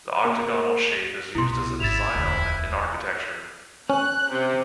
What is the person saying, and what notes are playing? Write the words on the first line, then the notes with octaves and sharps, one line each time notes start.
The octagonal shape is used as a design element in architecture.
A#3
C2 B2 E4 C6
G#1 G#2 E4 A6 E7 F7
E1 D2
C#4 F#6
C3